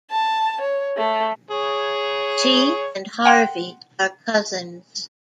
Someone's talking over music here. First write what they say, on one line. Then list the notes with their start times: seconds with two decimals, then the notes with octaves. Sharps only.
She and Harvey are cousins.
0.10 A5
0.61 C#5
0.97 A3
1.51 G#4 C#5
3.25 F#5 G5 C6 F#6